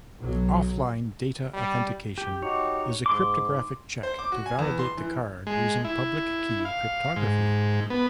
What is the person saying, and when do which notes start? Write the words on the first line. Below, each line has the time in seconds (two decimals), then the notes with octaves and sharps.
Offline data authentication is a cryptographic check to validate the card using public-key cryptography.
0.19 B1 F#3
1.53 G3
2.18 G4
2.42 D#4 F#4 G4 C#5
3.06 G#2 C6 D6
4.03 C5
4.19 D6
4.32 F#4
4.46 G#5
4.59 E2
4.79 C6
4.97 E3
5.47 G#3
5.84 E4
6.65 F5
7.16 G#2
7.90 B3